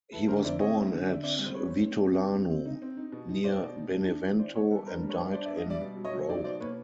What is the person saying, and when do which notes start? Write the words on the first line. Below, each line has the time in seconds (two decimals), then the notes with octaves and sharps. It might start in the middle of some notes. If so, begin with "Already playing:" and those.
He was born at Vitulano, near Benevento, and died in Rome.
0.12 E4 A4 B4
0.28 D3 A#4 C5
0.44 E4 C5 D5
0.60 C4 C#5 D#5
0.76 E4
0.91 D3
1.07 D3 D5 E5
1.23 C4 D5 E5
1.39 G3
1.46 C5
1.54 C4 B4 C#5
1.71 C4
1.86 C4
2.03 C4
2.19 D#4
2.34 C4
2.50 C4
2.66 D#4
2.82 C4
2.97 D#4
3.12 B2
3.29 D#4
3.44 D#4 C5 D5
3.61 B2
3.76 D#4
3.92 D4
4.08 E3
4.23 B3
4.39 E3 C5 D5
4.54 B3 B4 C#5
4.71 G3 A4 B4
4.86 D4 A#4 C5
5.03 G3
5.10 B4 C#5
5.18 B3
5.33 D4 C5 D5
5.46 D5 E5
5.49 B3
5.57 D#5 F5
5.66 G3 D5 E5
5.81 B2
5.97 F#3
6.05 C#5 D#5
6.13 F#3
6.29 D#4 C5 D5
6.44 B2 C5 D5
6.60 A#3 B4 C#5